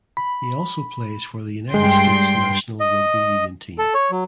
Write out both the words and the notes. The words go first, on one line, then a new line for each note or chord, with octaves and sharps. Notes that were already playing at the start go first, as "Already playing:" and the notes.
He also plays for the United States national rugby union team.
B5
G2 G#3 G5 C6
D#5
A4
C#5
F#3